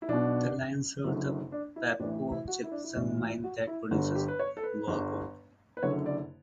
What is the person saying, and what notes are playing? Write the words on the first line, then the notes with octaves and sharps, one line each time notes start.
The line serves the Pabco Gypsum Mine that produces wallboard.
E4
B1 B2 D4
F#1 F#2 D3
D4
E4
A1 A2 E3 D4
E4
E4
F#4
E4
D4
E4
A1 A2 E3 D4
F#4
F#4
E4
G1 G2 D3 F#4
G4
B4
C#5
A4
B4
G1 G2 D3
B4
F#1 F#2 D3 C#5
D5